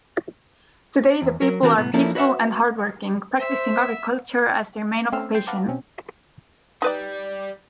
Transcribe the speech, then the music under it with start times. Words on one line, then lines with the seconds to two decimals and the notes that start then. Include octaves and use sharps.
Today the people are peaceful and hardworking, practicing agriculture as their main occupation.
1.22 E2
1.42 F#3 A#4
1.63 E3 C4 D4 F#4 A#4 A5
1.78 C2 A2 B3 A#5
1.94 F3 A#3 C#4 D4 E4 A4
2.15 F#4 B4 C#5 E5 F#5
3.39 C5 E5
5.12 A3 C4 C#4 C6 E6 F6
5.34 G5 C6 G6 A6 C7 D7
5.47 B4 F5 F#5 A5 A#5 D6
5.68 B2 C4 C#4
6.82 G3 D#4 B4 D5